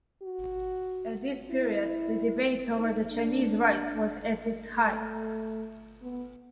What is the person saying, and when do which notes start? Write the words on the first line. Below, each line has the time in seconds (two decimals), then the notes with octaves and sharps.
At this period the debate over the Chinese Rites was at its height.
0.22 F#4
1.50 E4
2.80 D#4
3.12 D4
4.74 A3
6.02 B3